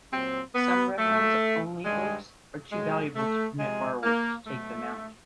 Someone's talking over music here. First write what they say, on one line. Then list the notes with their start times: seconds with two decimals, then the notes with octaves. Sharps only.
Some reference-only books are too valuable to permit borrowers to take them out.
0.12 A#2 F#3 C4
0.55 B3
0.98 A#2 F#3 A3
1.85 G2 D#3 G3 G#3
2.72 A2 F#3 G#3
3.16 A3
3.59 C3 F3 G#3
4.03 A#3
4.47 B2 F#3 A3